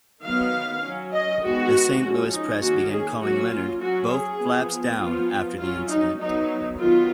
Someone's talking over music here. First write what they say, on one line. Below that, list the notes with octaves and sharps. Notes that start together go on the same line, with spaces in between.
The Saint Louis press began calling Leonard "both flaps down" after the incident.
D#3 F#3 B3 F5
F#3 C#4
D#5
D#3 G#3 B3 F#4
F3 G#3 C#4
D#4
D#3 A#3 C#4 F#4
G#4
F#3 A#3 C#4 F#4
F4
F#3 C#4 F#4
G#4
F3 B3
F3 B3 F4
F#3 C#4 F4
D#4
F#3 B3 D#4
D#3 F#3 B3 F4